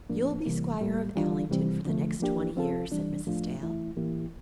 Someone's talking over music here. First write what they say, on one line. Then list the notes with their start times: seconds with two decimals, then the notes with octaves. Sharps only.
"You'll be squire of Allington for the next twenty years," said Mrs. Dale.
0.10 A2 F3 A#3 D4
0.46 C3 E3 G3 A#3
0.80 A2 G3 A#3
1.15 E3 G3 D4 F4
1.50 C3 E3 G3 C4
1.85 D3 F3 A3
2.20 F3 A#3 D4 G4
2.56 F3 C4 F4 A4
2.92 E3 G3 D4
3.27 A2 F3 A3 D4 F4
3.61 E3 A3 E4
3.96 A2 E3 A#3 E4 G4